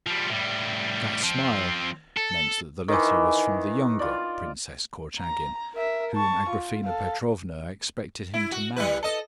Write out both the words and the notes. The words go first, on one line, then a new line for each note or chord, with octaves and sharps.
That smile meant that the letter was from the younger Princess Korchagin, whom Agraphena Petrovna expected him to marry.
F3 G3
A2 G3
F3 C4
A4
D#3 E3
F4 D5
A#5
A#4 E5
A5 C#6
F4
A4 F5
E4
F#4
G3 E4 B4
A4 D#5